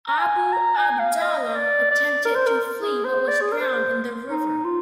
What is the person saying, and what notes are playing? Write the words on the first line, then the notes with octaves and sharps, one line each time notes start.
Abu Abdallah attempted to flee but was drowned in the river.
A#5
G#5
A#5
G#5
F5
D#5
D5
D5
A#4
C5
A#4
G#4
C5
D5
G#4
A#4
C5
D#4
F4